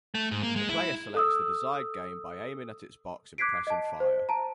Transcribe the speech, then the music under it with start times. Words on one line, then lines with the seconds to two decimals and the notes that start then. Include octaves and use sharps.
The player selects the desired game by aiming at its box and pressing fire.
0.15 A3
0.31 G#2
0.43 A#3
0.56 G#3
0.69 E4
1.15 A4 D#6 E6
3.38 D6 F#6 G#6 B6 C7 D7
3.67 D#5 A5
4.00 C5
4.29 A5 A#5